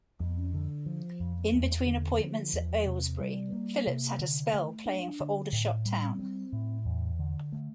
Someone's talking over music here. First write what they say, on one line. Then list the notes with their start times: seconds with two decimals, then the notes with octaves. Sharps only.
In between appointments at Aylesbury, Phillips had a spell playing for Aldershot Town.
0.20 F2
0.54 D3
0.86 F3
1.20 F2
1.54 E2
1.86 D3
2.19 F3
2.53 E2
2.86 C3
3.20 G3
3.53 A#3
3.87 C3
4.19 D3
4.54 A3
4.86 D4
5.20 D3
5.53 A2
5.86 G3
6.19 C4
6.53 A2
6.85 E2
7.19 D3
7.52 A3